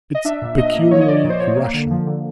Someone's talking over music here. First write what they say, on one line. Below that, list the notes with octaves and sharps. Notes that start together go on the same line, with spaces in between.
It's peculiarly Russian.
D#5
D4 E5
A#2
A#2 D#5
A#3
F3 C#5
D#5
F3 D5
A#2
C5
A#2 C#5
A#3
D3
F3
D3